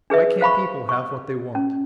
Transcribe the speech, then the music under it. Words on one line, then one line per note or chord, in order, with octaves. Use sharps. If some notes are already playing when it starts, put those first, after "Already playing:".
Why can't people have what they want?
D4 G#4 B4 E5
C5 F5 B5 C#6
C#6
C#4